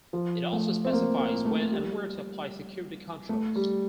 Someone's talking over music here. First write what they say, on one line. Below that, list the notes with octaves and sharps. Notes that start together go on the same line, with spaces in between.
It also specifies when and where to apply security controls.
F3
A3
C4
A#3
A#3
A3
G3
A3
G3